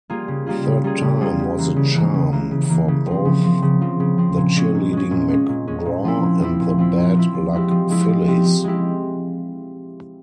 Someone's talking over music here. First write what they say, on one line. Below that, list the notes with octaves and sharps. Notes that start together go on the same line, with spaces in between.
Third time was the charm for both the cheerleading McGraw and the bad-luck Phillies.
G3 A#3 F4 G#4
C#3
G3 A#3 F4 G#4
C#3
G3 A#3 F4 G#4
C#3
G3 A#3 F4 G#4
C#3
E3 A#3
C#3
E3 A#3
C#3
E3 A#3
C#3
E3 A#3
C#3
F3 C4
C#3
F3 C4
C#3
F3 C4
C#3
F3 C4
A#2
G#3 C#4
A#2
G#3 C#4
A#2
G#3 C#4
A#2
G#3 C#4
A#2
F3 C4 E4
A#2
F3 C4 E4
A#2
F3 C4 E4
A#2
F3 C4 E4
F3
G#3 C4 E4 G4
F3
G#3 C4 E4 G4
F3
G#3 C4 E4 G4
F3
G#3 C4 E4 G4